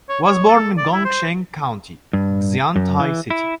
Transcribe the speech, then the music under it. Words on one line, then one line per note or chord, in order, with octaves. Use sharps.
Was born in Gongcheng County, Xiantai City.
C#5
C#5
A4
D5
E4
C5
G2
F#2
E3
E4